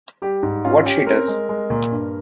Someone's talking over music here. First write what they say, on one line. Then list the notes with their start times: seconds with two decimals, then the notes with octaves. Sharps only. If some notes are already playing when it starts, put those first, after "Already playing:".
What she does !
0.22 G3 G4
0.43 G#2
0.65 C#4 F4
0.86 C#4 G4
1.07 C4 A#4
1.28 G#3
1.49 G#3
1.70 A#2
1.91 G2